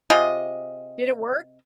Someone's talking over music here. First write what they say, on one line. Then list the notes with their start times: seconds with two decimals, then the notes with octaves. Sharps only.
Did it work?
0.10 C3 F4 G#4 D#5